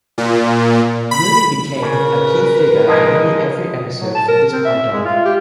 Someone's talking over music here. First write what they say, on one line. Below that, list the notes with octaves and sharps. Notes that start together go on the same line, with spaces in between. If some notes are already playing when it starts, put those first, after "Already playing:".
Mooney became a key figure in nearly every episode from this point on.
A#2
B5
C#3 A#4 B4
F3 G#3 A#3 D#4
F#3
A5
A#4
C4
E5
G#3
F4
G4